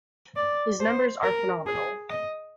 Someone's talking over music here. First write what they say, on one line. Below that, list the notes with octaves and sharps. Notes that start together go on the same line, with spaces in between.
His numbers are phenomenal.
D5
C5
A#4
G#4
D#5